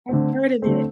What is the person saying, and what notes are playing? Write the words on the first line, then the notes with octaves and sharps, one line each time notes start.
I've heard of it.
D3 A3 C4
D3 A3 C4